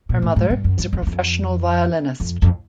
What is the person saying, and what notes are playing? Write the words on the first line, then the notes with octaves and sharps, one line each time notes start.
Her mother is a professional violinist.
A#2
A2
G#2
G2
F#2
G2
F2
E2
F2
F2
F2